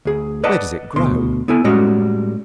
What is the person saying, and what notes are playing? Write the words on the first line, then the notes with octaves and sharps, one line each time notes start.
Where does it grow?
D2 G#4
B4 D5 D#5 F#5 A5
D2 B2 C6
B3 E4 A4 G#5
A2 G3 G#3 C#4 F#4 D#5